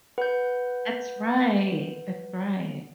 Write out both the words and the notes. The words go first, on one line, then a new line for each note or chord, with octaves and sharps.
That's right, that's right.
B4 F#5 G6